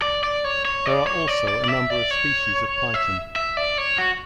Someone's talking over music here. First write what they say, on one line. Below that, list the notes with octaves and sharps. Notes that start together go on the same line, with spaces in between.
There are also a number of species of python.
D5
D5
C#5
C#5
D5
C#5
D5
D5
D5
E5
D5
C#5
E5
E5
D5
C#5
F#4